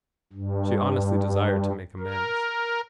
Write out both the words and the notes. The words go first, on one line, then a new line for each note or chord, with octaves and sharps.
She honestly desired to make amends.
G2
A#4